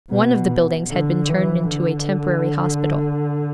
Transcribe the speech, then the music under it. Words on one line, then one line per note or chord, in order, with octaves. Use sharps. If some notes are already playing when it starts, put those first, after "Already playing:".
One of the buildings had been turned into a temporary hospital.
B2
D3
E3
D3